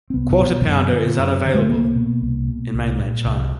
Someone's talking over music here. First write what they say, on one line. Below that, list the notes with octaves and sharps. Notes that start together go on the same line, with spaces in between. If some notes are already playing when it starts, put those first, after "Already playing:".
Quarter-Pounder is unavailable in mainland China.
C4
C2 B3
B2
F#2
D3
F#2
D3
G#3
A3
C2 A#3
B2
C2
B2
C2
A#2
C2